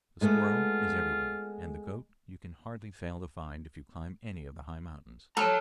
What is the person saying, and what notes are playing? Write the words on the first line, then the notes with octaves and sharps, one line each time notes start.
The squirrel is everywhere, and the goat you can hardly fail to find if you climb any of the high mountains.
G#3 A3 B3 F4
A4 C#5 A5 A#5 F6 F#6